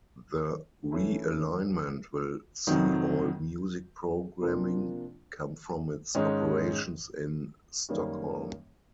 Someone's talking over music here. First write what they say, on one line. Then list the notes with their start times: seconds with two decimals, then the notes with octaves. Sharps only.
The re-alignment will see all music programming come from its operations in Stockholm.
0.92 E3 A3 C#4 E4
2.67 F2 C3 D#3 F#3
4.41 C3 F3 A#3 D4 F4
6.15 G#2 D#3 G#3 C#4
7.89 F#2 D#3 G3 A#3 C#4